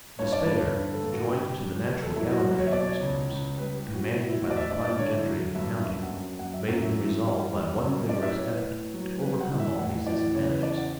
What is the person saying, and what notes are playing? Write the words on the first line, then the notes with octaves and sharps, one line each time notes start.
Despair, joined to the natural gallantry of these troops, commanded by the prime gentry of the county, made them resolve by one vigorous effort, to overcome all these disadvantages.
G2 C#5
D5
G2 C#5
D3 B4
A4
G2
F#4
D3 G4
F#3
F#3 B4
A4
F#3 E4
F#4
F#3 F#4
C#5
E5
B2 D5
C#5
C#2
C#2
G3 B4
G4
A2
F#4
A2 E4
E4
A2 F#4
D5
E5
G2 D5
D5
D3 C#5
E4
F#3
G2 E5
F#2 E5
F#5
F#2
F#2 F#5
E5
F#2 F#5
E5
E3
G3
G3
F#2
A2 D5
E5
A2 C#5
B4
A2
F#3
G3 B4
F#5
E3
E5
A2 F#5
E3 D5
C#3 C#5
B4
E2 D5
F#5